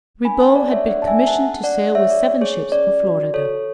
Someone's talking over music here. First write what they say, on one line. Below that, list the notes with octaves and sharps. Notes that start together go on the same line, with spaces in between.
Ribaut had been commissioned to sail with seven ships for Florida.
D4 G#5 B5
F#5 A5
G#4 D5
C#5 E5
D4 D5 F#5
A5
E5 G#5
G#4
F#5 A5
D4
D5 F#5
G#4
C#5 E5
D4 D5
G#4 C#5
C#4 D5
F#4
A4 C#5